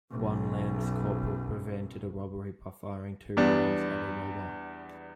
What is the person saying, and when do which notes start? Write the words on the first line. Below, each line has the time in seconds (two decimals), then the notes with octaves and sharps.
One Lance Corporal prevented a robbery by firing two rounds at a robber.
0.11 B1 F#2
3.37 E2 G3 B3 D4